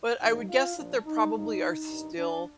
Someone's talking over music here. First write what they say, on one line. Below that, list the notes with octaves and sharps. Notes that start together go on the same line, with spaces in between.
but I would guess that there probably are still
A#1 G#2 D#3 F#3 A3 D#4
F4
A#1 A#2 F3 D4
D#4
A#1 G#2 F3 A3 D#4
G2 D#3 G3
D4